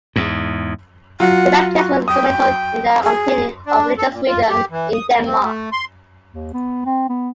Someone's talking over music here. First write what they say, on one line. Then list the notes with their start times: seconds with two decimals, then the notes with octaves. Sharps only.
The Baptists were instrumental in the obtaining of religious freedom in Denmark.
0.16 E2 G#2
1.20 F#3 F4 F#5
1.76 F#4
2.08 G5 D#6
3.03 G#4
3.66 D4
3.98 A4
4.11 A#2
4.27 F4
4.49 G4
4.71 E3
4.94 D#6
5.13 E2
5.25 C4
5.43 A3
5.72 C6
6.32 D#2
6.54 B3
6.86 C4
7.09 B3